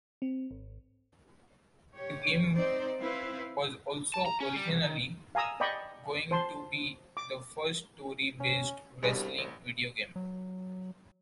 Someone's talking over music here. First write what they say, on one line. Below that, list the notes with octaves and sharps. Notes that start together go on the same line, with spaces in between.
The game was also originally going to be the first story-based wrestling video game.
C4
G#1
G4 C#5
C4 D#4 C5 D5
C4 E4 B4 F5
A5
A#5
C#4
G3
C2
D#3
F5 G#5 A#5 D#6 E6
D5 D#5 G5 B5 C#6
C5 A5 C6
D6
C#4
G2 B2 G3 G#3
C2
A1
F#3